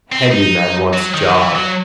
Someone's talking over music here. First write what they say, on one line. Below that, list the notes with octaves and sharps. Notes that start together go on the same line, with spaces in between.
Handy man wants job.
C4
D#4
F#3
D#3
E3
F#3